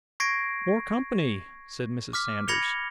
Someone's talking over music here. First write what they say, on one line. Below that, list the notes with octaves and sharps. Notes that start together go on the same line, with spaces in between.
'More company!' said Mrs. Sanders.
C#6 G#6 A#6 C7 D7
D6 F6 B6
B5 G#6 A#6 C#7 F7 G7